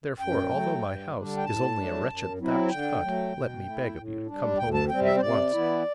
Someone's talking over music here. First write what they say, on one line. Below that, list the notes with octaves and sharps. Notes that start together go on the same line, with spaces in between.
Therefore, although my house is only a wretched thatched hut, let me beg of you to come home with me at once.
F#2 G5
F#3 A3
G2
D3 G3 D4
G5
A2 A5
F#3 A3 D4
F#2
F#3 C4 E4
D3 G5
F#3 A3
B2
A3
E4
A2
G3 D4
D2 G5
A5
C3 G3 C4 G5
E5
C5
C3 D5
E3 B3 E4